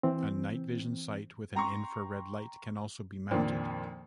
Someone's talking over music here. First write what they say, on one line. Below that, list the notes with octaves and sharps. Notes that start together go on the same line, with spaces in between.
A night vision sight with an infra red light can also be mounted.
E3 C4
G5 A#5 C6 C#6
F2 A#2 D#3 F3 C4 D4